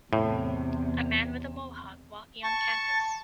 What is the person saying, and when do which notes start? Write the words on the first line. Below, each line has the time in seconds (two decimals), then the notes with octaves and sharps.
A man with a Mohawk walking on campus.
0.13 E2 A2 C3
2.43 A5 C#6